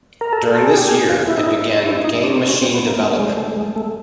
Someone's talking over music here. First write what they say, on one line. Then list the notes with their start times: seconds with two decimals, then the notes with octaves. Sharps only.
During this year, it began game machine development.
0.21 A#4
0.33 A4
0.52 A4
0.64 G#4
0.77 G4
0.89 G#4
1.09 F4
1.28 E4
1.38 D#4
1.47 E4
1.86 E4
2.04 D#4
2.23 D4
2.36 C4
2.49 C#4
2.62 C4
2.74 B3
2.87 A#3
3.00 A3
3.19 G#3
3.37 A3
3.56 G#3
3.76 A3